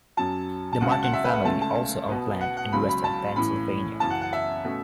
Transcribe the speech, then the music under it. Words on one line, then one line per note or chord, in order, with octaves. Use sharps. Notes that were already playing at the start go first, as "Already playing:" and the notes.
The Martin family also owned land in western Pennsylvania.
F#2 F#3 C#4 A5
A5
C#2 C#3 F#3 F#5
A5
F#5
E5
B4
F#5
C#2 C#3 A3 C#4 A5
A5
B2 B3
F#5
F#5
C#2 C#3 F#3 B5
B5
A5
A2 E3 C#4 B5
F#2 C#3 E3 C#4 A5
F#5
F#5
E5
B2 A3 C#4